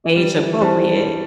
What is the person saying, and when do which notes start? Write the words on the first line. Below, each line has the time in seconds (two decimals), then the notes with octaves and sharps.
age appropriate."
0.16 G3 E4
0.38 E3
0.61 G3 C5 E5 A5